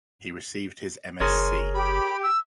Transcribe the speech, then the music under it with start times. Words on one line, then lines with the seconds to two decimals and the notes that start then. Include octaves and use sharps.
He received his M. Sc.
1.20 F#1 G#4 A#4 C#5 C6
1.74 G4 B5
2.23 E6